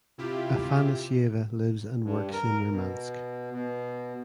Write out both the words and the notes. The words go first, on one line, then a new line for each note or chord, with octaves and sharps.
Afanasyeva lives and works in Murmansk.
C3 E4 F4 G4
G2
A#4
B2
B2